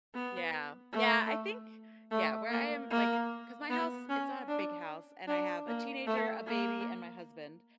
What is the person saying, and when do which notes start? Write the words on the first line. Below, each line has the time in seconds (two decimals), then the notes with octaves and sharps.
Yeah, yeah, I think yeah, where I am like, 'cause my house, it's not a big house, and I have a teenager, a baby, and my husband,
0.14 B3
0.93 A3
2.11 A3
2.51 A#3
2.91 A#3
3.69 B3
4.09 C#4
4.48 D4
5.27 D4
5.67 A#3
6.06 A3
6.46 A#3